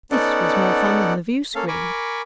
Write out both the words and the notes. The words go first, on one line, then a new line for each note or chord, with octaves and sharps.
This was more fun than the viewscreen.
B3 C#4 D#4 A4 D5 F#5
A#3 C#4 A4 F5
A#4 G#5 B5 C#6 D6